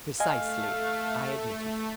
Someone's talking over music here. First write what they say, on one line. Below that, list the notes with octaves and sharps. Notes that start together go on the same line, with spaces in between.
"Precisely," I admitted.
A3 D#5 F5 G#5